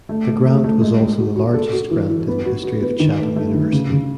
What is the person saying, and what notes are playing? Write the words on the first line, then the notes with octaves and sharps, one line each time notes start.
The grant was also the largest grant in the history of Chatham University.
A3
A3
A3
A3
G#3
G#3
F#4
F#4
A4
F#4
E3
E3
B3
F#4
F#4
B3
D#3
A3
A3
D#3
C#3
C#3